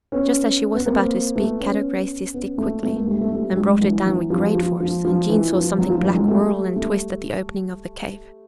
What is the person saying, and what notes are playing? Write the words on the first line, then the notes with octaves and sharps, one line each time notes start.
Just as she was about to speak, Kadok raised his stick quickly and brought it down with great force and Jean saw something black whirl and twist at the opening of the cave.
B3 C#4
B3
A#3 C4
A3 B3
B3 C#4
B3 C#4
A3 B3
A3 B3
G#3 A#3
G3 A3
A3 B3
G3 A3
G3
F#3 G#3
E3 F#3
E3 F#3
F3 G3
F3
F3
F3
E3
F3
E3 F#3
F3
E3 F#3
F#3 G#3
G3 A3
G3 A3